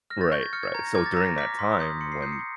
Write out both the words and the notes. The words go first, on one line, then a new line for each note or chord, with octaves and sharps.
Right, right. So, during that time when
F6 A#6
A6
C#6 G6
G#6
F6 C#7
G#6
A#5 G#6
A#6
D6 F6 G#6
A6
A#5 A#6
D6 F6 B6
C6 B6
D#6 G6
C6 C#7
C7
D#6 G6 C7
C#7